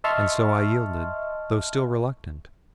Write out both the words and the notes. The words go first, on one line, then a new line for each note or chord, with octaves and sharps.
And so I yielded, though still reluctant.
D#5 E5 A5 C6 C#6 F6